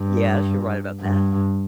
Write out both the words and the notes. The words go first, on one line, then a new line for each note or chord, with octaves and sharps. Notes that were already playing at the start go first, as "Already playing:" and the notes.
Yes, you're right about that.
Already playing: G2
G2